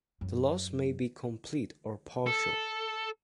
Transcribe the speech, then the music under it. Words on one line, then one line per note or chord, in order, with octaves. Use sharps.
The loss may be complete or partial.
F#2
A4